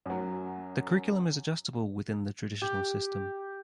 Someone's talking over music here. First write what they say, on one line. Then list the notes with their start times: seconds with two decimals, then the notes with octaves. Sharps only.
The curriculum is adjustable within the traditional system.
0.06 F#2 F#3
2.62 G4